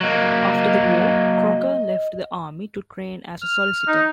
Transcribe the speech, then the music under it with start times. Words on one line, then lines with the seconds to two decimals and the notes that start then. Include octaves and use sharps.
After the war, Crocker left the army to train as a solicitor.
0.01 F#3 A#3 D#5
3.41 F6
3.88 D#4